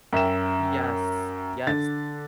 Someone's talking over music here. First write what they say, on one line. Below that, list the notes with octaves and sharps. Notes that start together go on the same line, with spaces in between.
Yes. Yes.
F#2 E5 G5 E7
D3 A6